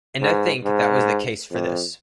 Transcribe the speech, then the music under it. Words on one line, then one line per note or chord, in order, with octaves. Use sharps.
And I think that was the case for this.
G#2
G#2
F2